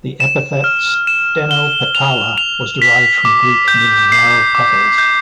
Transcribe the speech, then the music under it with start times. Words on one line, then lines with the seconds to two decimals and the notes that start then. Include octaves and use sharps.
The epithet ""stenopetala"" was derived from Greek meaning narrow petals.
0.20 E7
0.64 F6
1.07 E7
1.51 G7
1.95 F7
2.38 F7
2.82 B6
3.25 D6
3.68 G6
4.12 C7
4.55 D6
4.98 G6